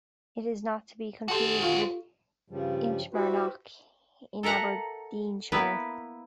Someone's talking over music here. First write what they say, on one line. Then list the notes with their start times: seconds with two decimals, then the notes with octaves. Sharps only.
It is not to be confused with Inchmarnock in Aberdeenshire.
1.28 F#4 G4 A4 C5 A5
1.62 F4 F5 C#6
2.50 G2 C#3 F3 G3
3.14 E4 F#4 G4 B4 C5
4.43 A4 A#4 E5 F#5 A#5
5.52 A#3 B3 E4 B4